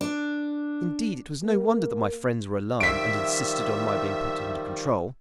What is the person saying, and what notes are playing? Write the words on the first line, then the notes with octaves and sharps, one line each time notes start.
Indeed, it was no wonder that my friends were alarmed, and insisted on my being put under control.
D4
A#3
D#3 F3 G3 E5 B6 D7